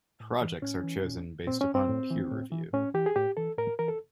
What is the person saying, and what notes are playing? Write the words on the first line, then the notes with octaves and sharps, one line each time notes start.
Projects are chosen based upon peer review.
A2
E3
A2 C#4
E3
A#2
A#2 C4
C#4
C4
A2
E3
A2
E3
A2 C#4
E3 G4
G#4
A2 G4
E3 A4
A2 A#4
E3 A#4
A4